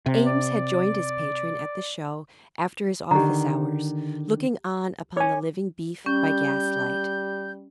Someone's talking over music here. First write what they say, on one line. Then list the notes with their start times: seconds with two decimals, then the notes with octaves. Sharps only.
Eames had joined his patron at the show after his office hours, looking on upon the living beef by gaslight.
0.06 C3
0.25 D5
3.11 D3 D#3 G4 A#5
5.17 C#5 G#5 D6
6.06 G3 C#4 G6